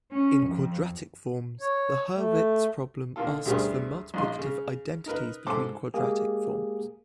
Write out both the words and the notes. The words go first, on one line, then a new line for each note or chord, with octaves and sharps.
In quadratic forms, the Hurwitz problem asks for multiplicative identities between quadratic forms.
C#4
F2
C#5
A3
D3 D#3 A#3 F4 A4
D2 G2 G4 G#4 A#4 C5
A#1 D#4 C6
C#3
D#4 A#4 B4
G#2 A4 C5 D6
G#3 A#3 G4 G#4